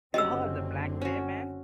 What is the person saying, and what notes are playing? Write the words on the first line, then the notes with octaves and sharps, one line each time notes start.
'Behold the black gray man!'.
F#1 D3 C4 C#4 F#4 G4 D#5 E6
C#4 F#4